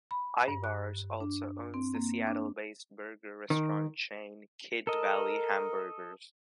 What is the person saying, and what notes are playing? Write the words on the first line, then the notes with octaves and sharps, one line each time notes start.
Ivar's also owns the Seattle-based burger restaurant chain Kidd Valley Hamburgers.
B5
G2
F#6
D4
C4
A#3
D4
D#3
A4 A#4 D#5